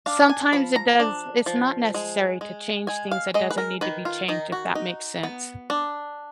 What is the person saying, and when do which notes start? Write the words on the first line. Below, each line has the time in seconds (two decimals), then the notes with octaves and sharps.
sometimes it does it's not necessary to change things that doesn't need to be changed, if that makes sense.
0.06 D4 F5
0.29 G#5
0.53 F3 B5
0.76 A#5
1.00 D4
1.46 F3
1.94 G#3
2.41 G#3
2.87 G#3 G#5
3.11 F5
3.34 G#3 D#5
3.51 B4
3.58 A#4
3.81 D#3 B4
4.05 F4
4.28 D#3 D#4
4.52 F#4
4.75 D#4
5.23 B3
5.70 D4